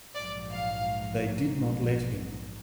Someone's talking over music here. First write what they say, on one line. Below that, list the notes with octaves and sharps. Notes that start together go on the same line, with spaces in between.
They did not let him.
A#1 G#2 F#3 D5
F5